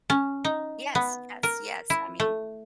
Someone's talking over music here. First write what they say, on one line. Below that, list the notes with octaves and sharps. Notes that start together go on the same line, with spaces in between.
Yes, yes, yes, I mean
C#4
D#4
B3
A#4
E4
A3